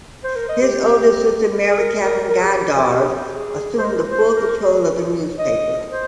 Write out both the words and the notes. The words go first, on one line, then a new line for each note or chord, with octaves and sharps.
His older sister Mary Katherine Goddard assumed full control of the newspaper.
C5
A#4
D#5
G4
G#4
A#4
A#4
A#4
G#4
G4
G4
G#4
C5
A#4
C5
A#4
G#4
D#5
C5